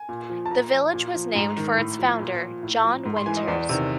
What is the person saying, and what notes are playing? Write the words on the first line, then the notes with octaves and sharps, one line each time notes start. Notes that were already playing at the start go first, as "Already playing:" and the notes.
The village was named for its founder, John Winters.
Already playing: G#5
A#2
F3
A5
A#2 A#5
F3
A#2
F3
G#2 A#5
D#3
A2
F3
A#2
F3
A2
F3
G#2
C6
E3 G#5
D#5
E2 D5
C3 D#3